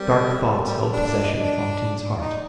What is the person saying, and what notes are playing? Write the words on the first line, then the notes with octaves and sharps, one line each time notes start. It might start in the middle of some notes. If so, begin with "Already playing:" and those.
Dark thoughts held possession of Fantine's heart.
Already playing: G3 C4 A#4
A4
F#4
G4
A4
A#4
G3
D4
D5
D#5
D4
D#4 D5